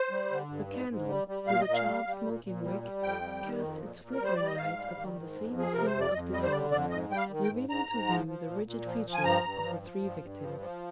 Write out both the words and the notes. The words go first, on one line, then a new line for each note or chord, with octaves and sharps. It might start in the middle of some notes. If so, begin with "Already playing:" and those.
A candle, with a charred smoking wick, cast its flickering light upon the same scene of disorder, revealing to view the rigid features of the three victims.
Already playing: C5
G3
D3
G2
G#2
G#2
G3
G3
A#2 F5
D#5
A#2
F5
G3
G3
A#2
A#2
G3
G3
F2 G5
G3
D#3
F2
A#2
A#2
A#4
G3 C5
G3 D5
D#5
G#2 F5
G3
D#3
G#2
F2
F3 G#4
C3 A#4
C5
F2
D5
F2 D#5
G3 D#5
C5
D3 D5
F2 D5
G#2 D#5
G3 G5
F5
D#3
G5
G#2
G#2 A#5
G#2
F3
F3
A#2
A#2
F3
F3
G#5
G2 A#5
G2
F3
F3
G2
G2
F3
F3